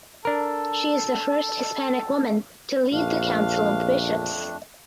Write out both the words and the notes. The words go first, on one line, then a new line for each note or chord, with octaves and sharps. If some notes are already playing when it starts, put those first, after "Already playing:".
She is the first Hispanic woman to lead the Council of Bishops.
D4 A4 A#4
A#1 F2 A3 D4 F5